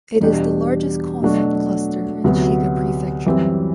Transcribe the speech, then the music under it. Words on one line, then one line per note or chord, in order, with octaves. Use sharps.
It is the largest "kofun" cluster in Shiga Prefecture.
E2 B2 G3 D4 G4
B2 F#3 A3 D4 F#4
D2 C3 F#3 B3
F#2 E3 G3 C4